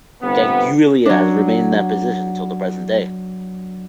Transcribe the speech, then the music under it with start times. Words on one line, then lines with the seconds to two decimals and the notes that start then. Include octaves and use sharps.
Gagulia has remained in that position till the present day.
0.23 G1 C3 B3
1.06 F#3 D4